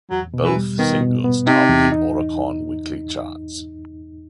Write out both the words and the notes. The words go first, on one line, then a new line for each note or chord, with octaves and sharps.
Both singles topped the Oricon weekly charts.
E2 F#3
B2
E3
G3
D#3 B3
B2
B3
C3 D#4
E2
D#4